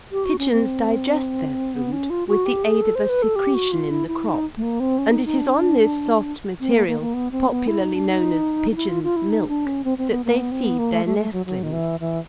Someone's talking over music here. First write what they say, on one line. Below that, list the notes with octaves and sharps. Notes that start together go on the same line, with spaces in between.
Pigeons digest their food with the aid of a secretion in the crop, and it is on this soft material, popularly known as "pigeons' milk," that they feed their nestlings.
G4
F#4
C#4
C4
B3
C#4
F4
F#4
G4
G#4
A4
C5
B4
A4
G4
F#4
F4
E4
E4
D#4
A3
A#3
C4
C#4
D#4
D#4
D4
C4
A#3
A#3
A#3
B3
C4
B3
E4
D#4
D4
D#4
D#4
E4
F4
F4
E4
D#4
D4
C#4
C4
C4
B3
A#3
B3
C4
B3
A#3
A3
A3
A3
F#3
F#3
D#3
E3
E3